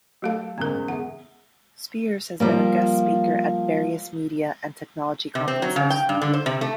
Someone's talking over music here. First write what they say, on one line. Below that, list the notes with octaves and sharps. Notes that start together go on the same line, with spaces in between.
Spiers has been a guest speaker at various media and technology conferences.
F#3 A3 G4 A4 F5
E2 G#2 C#3 B3 A#4
E2 G#4 E5 F#5
F3 G3 A#3
C3
C4
F#3
C#3
G5
G2
D3
C5
C3
A3